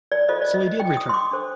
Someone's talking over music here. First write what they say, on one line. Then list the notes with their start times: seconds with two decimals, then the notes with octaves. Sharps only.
So he did return!
0.12 D5
0.29 F4 A4 C5 D#5
0.42 D5
0.54 D#5
0.67 D#5
0.80 G5
0.97 D#6
1.09 C6
1.14 D6
1.31 D4 A4 C5